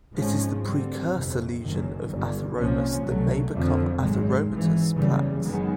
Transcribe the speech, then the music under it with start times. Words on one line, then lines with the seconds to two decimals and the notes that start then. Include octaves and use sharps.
It is the precursor lesion of atheromas that may become atheromatous plaques.
0.15 G#1 G#2 F3 G#3 C#4
0.63 D2 D3 G3 C4
1.11 G1 F2 C3
1.60 F#1 F#2 D#3
2.07 G1 G2 D3
2.56 C2 A#2 F3 A#3 C#4
3.05 C2 B2 F#3 A3
3.53 F2 D3 F3
4.01 G#1 F#2 D#3 G#3
4.49 G#1 G#2 E3
4.97 F#1 E2 C#3 E3 G3
5.45 F#2 D#3 G#3 B3